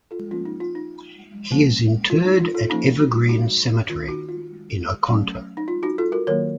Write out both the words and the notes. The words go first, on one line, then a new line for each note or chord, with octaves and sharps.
He is interred at Evergreen Cemetery in Oconto.
F4 A4
F3 A#3 C#4 F4
D#4
F4
D#4
F3 A#3 C#4
F4
D#4
F4
F4 A4
F3 A#3 C#4 D#4
D#4 F#4
D#4 F#4
D#3 A#3 C#4 F4
D#4 F#4
F4
F#3 A3 C#4
D#4
F4
D#4 F#4
F4 A4
F#4 A#4
D#3 F#3 A#3 A#4 C#5